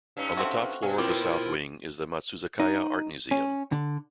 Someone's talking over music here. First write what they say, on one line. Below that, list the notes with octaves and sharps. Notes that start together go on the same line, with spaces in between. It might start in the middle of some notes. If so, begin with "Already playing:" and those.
On the top floor of the south wing is the Matsuzakaya Art Museum.
G2 C#4 D#4
A3 C4 F#4
B2 C#4
A#2 C4 E4 F4 G4 A#4
D#4
C#4
D3